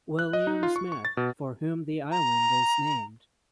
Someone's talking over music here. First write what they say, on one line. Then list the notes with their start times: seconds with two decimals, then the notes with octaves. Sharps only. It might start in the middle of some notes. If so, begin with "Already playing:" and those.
William Smith, for whom the island is named.
0.19 F#6
0.33 D#5
0.47 D#4
0.63 F4
0.76 C#6
0.92 C#6
1.05 A6
1.17 B2
2.11 A#5